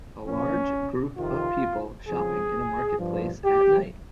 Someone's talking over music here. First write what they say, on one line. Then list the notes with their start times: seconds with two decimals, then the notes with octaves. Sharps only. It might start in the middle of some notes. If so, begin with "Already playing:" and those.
A large group of people shopping in a marketplace at night.
0.25 A#2 F3 C#4
1.16 F2 C3 D#3 F4
2.07 F2 C#3 F3 G#4
2.98 G2 F3
3.44 G4